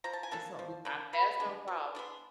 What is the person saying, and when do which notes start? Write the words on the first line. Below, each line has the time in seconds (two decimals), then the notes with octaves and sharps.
it's what we our paths are gonna cross.
0.04 F3 A#5
0.13 A5
0.23 G#5
0.31 A#3 D4 A4 A5
0.59 F3
0.85 A#3 D4
1.13 B2 B4 B5
1.40 G#3 B3 D4
1.68 B2
1.95 G#3 B3 D4